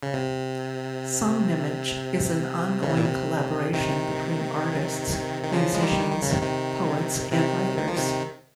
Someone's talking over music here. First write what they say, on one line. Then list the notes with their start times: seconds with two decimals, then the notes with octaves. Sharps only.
Somnimage is an ongoing collaboration between artists, musicians, poets and writers.
0.03 C#3
0.14 C3
2.83 C#3
2.90 C3
2.97 A#2
3.05 C3
3.73 C3 D#3
5.42 D#3
5.52 C#3 F3
5.75 G#3
5.82 D#3 G3
6.12 D#3
6.22 C#3
6.31 C3 D#3
6.42 C3 D#3
7.32 C3 D#3
7.78 D#3
7.87 F3
7.97 C3 D#3